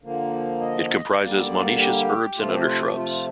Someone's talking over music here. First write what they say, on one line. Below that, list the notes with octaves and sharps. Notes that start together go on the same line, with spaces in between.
It comprises monoecious herbs or undershrubs.
D3 F3 A#3
D#5
D3 G3 A#3 D5
G4
C3 F3 A3 F4
G4
F4
F4